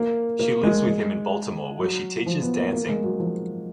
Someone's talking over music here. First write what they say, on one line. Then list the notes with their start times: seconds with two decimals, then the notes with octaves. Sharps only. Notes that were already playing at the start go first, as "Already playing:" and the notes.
She lives with him in Baltimore where she teaches dancing.
Already playing: A#3
0.39 A#3
0.63 G#3
0.87 G#3
1.80 F#3
2.26 F3
2.42 B3
2.57 A#3
2.73 A#3
2.89 G#3
3.04 F#3
3.19 F3